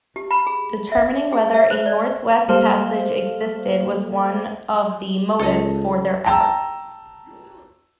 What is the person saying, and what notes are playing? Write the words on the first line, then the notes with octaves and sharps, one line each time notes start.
Determining whether a Northwest Passage existed was one of the motives for their efforts.
G4
B5
G#4
E5
G#4
E5
C5
D5
G3 A#3 A4 C5 F5
C#2 A4 D#5
G5 A5 A#5 E6